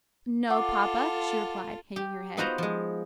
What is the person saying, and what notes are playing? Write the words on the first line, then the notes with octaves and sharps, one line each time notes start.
"No, papa," she replied, hanging her head.
F4 A4 F#5 D6
G4
B3 D#4 F4 F#4 C5 A#5
F3 G#3